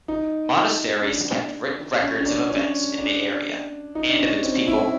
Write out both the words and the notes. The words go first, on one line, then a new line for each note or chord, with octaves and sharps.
Monasteries kept written records of events in the area and of its people.
D#4
C#4
D4
C#4
C#4
D4
C#4
D4
D#4
D4
C#4
C4
E4